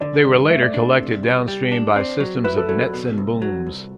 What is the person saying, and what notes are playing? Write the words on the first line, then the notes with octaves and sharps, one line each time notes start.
They were later collected downstream by systems of nets and booms.
D3 D5
G2
A3 E5
D5
D4
C3
C2
G3
D4
C4 D5
F#3
E4 B4
A4
F#3 A4
A4
B2
C2
F#3 F#4
C2